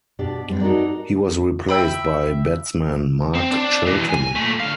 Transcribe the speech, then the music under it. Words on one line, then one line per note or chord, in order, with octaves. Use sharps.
He was replaced by batsman Mark Chilton.
B2 D4 G4 D5
D3 G3 B3 C4 D4
D#4 F#4 A4 A#4 D5
E5 G5 B5
C4
D4
E3 G#3
G#5
A#2 A3
D3 F5